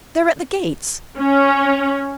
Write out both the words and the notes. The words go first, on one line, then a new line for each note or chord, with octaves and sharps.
'They're at the gates!
C#4